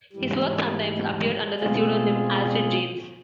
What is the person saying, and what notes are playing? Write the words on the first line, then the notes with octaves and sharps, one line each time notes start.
His work sometimes appeared under the pseudonym Alfred James.
G#2 E3 G3
B2 G#3 C4 F4 G#4